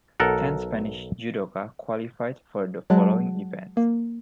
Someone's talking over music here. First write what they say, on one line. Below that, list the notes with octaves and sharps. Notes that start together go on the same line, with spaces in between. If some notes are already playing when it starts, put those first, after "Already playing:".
Ten Spanish judoka qualified for the following events.
B1 A4 A#4 F#5
F#3 G#3 F#5 A5
A#3